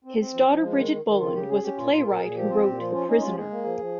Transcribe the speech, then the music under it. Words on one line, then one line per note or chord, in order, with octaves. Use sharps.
His daughter Bridget Boland was a playwright who wrote the "The Prisoner".
C4
C4
F3
F3
G#3
D#3
D#3
D#3
C#3 F4
C#3 G4
C#4 G#4
C#4 G4
A#2 F4
A#2 F4
A#2 A#4
A#2 G#4
F3 G4
C4 F4
A#2 G4
F3 F4
C#4 F4
C#4 D#4
G#3 F4
G4
G#3 G#4
A#3
F3
F3